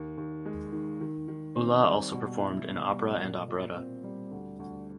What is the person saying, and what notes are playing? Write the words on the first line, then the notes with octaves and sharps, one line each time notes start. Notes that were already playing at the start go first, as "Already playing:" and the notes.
Ulla also performed in opera and operetta.
Already playing: D#2
D#2
G#3
D#3
D#3
D#3
C4
G3
B2
E4
B3
G3
A#2
A#2
C4
G3
D2
D2